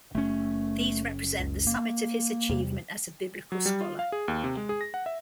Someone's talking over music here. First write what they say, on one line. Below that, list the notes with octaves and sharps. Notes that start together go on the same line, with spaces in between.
These represent the summit of his achievement as a Biblical scholar.
F#1 A3 C#4
C#2
A#3
E2 C3 G3
F#3
G3
F4
F5
G#4
D#2
C3
G#3
G#4
A#6
F#5
E5